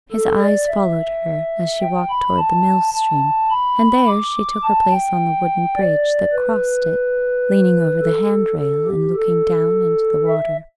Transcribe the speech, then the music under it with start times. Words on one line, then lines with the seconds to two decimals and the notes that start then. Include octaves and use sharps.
His eyes followed her as she walked towards the mill-stream, and there she took her place on the wooden bridge that crossed it, leaning over the handrail, and looking down into the water.
0.12 A4
0.40 D5
0.68 E5
1.81 G5
2.09 B5
2.38 A5
2.94 A5
3.50 B5
4.08 D6
4.64 A5
4.91 G5
5.76 D5
6.32 B4
8.02 A4
8.59 A4
8.86 G4
9.16 A4
10.27 E5